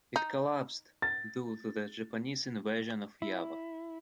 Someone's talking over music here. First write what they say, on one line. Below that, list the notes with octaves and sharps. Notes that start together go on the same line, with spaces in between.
It collapsed due to the Japanese invasion of Java.
D#4
A6
E4